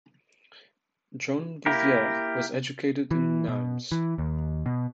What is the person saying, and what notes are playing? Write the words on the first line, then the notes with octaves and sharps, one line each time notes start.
John Bouvier was educated in Nimes.
A#3 E4 G4 A#4
E3
B2
E3
D#2
B2